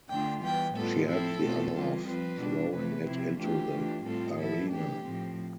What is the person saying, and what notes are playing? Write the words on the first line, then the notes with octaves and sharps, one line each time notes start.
She had the honor of throwing it into the arena.
D3 A3 D4 F4 G5
E3 G3 B3 G5
A2 G3 B3 F4 A4
F3 C4 E4 A4
B2 A3 C4 F4
E3 G3 C4 F4
F3 C4 F4 B4
B2 G3 D4
C3 E3 A3 B4
C3 F3 C4 E4
E3 A3 D4 F4 G4
E3 A3 D4 F4
A2 G3 C4 F4 A4
F3 B3 E4 A4
E3 A3 D4 G4
A2 F3 C4